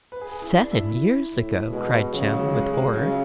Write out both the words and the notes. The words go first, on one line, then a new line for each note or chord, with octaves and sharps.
'SEVEN YEARS AGO!' cried Jem, with horror.
B4
G#4
G#4
E4
D4
E4
A2
B2 G#3
C#3 F#3
F#3
G#3
F#3
G#3
G#3
C#3 F#3